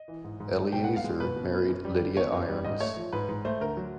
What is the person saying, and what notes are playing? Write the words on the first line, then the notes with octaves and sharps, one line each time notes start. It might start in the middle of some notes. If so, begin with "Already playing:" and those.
Eleazer married Lydia Irons.
Already playing: D#5
E3
G#2
G#2
G3
B2 G5
B3 F#5
F5
G#3
B2 B4
B2
B3
F#2
G3
D3
B3 C#5
F#2
G3
G#2 D#5
A3 C#5
F3
G#2 B4
G#2
A3 C5
D2 A#4
F#3